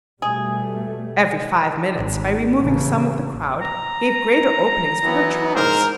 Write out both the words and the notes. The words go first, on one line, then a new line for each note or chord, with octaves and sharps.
Every five minutes, by removing some of the crowd, gave greater openings for her charms.
B2 G3 A3 G#4
G#1
A1 C#3
A#5
E3 F#3 B3
G#2 A#4 C5